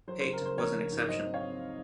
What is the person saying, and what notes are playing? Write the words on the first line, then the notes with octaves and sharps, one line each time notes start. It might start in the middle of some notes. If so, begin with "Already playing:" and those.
Paete was an exception.
F#3 C5
C5
C#3
A#4
C#3 C5
A#1 A#4 C#5
A#1
G#2
F#3 C5 D#5
C4
C#5 F5
C4